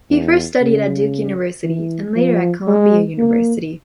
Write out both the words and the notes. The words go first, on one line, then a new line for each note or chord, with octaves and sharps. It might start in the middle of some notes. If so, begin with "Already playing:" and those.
He first studied at Duke University, and later at Columbia University.
E2
C#3
E3
F3
G#3
A#3